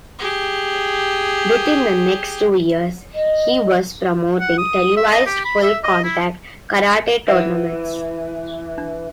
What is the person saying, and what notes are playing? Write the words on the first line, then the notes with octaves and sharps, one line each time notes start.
Within the next two years, he was promoting televised full-contact karate tournaments.
G4 G#4
D#5
F#5
D#6
E5
D#5
G4
B5
E5
D#5
E4
E3 C5 E5 F#5
D4